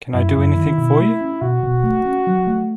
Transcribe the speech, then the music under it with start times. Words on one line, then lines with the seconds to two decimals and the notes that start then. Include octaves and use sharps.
Can I do any thing for you?
0.14 F#2 E4
0.36 F#2
0.57 D#3
0.78 B2
0.99 A3
1.21 C#4
1.41 B2 F#4
1.63 B2
1.83 A3
2.05 C#4
2.27 F#3
2.47 A3